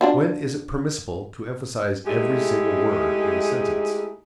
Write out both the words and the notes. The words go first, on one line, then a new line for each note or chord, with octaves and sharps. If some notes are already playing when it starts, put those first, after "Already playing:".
When is it permissible to emphasize every single word in a sentence?
D4 F4 F#4
G#3 A3 D#4 E4 G4 G#4